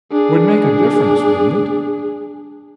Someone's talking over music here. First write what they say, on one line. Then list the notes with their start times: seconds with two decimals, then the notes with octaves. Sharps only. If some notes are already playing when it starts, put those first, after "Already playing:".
Would make a difference, wouldn't it?
0.12 D4 G#4